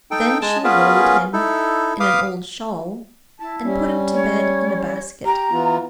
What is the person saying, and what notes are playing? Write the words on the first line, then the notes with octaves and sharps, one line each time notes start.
Then she rolled him in an old shawl, and put him to bed in a basket.
D#4 A4 G5
G#3 G#4 G#5 A5
B3 C#4 F4 G#4 A#4 B4
D#4 E4 A4
B4 F5 D6 D#6
E4 A5
G3 C#4
C#5
G4 A#5
E3 B3 F4